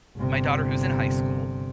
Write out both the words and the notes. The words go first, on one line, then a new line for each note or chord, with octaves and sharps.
my daughter who's in high school
G1 C3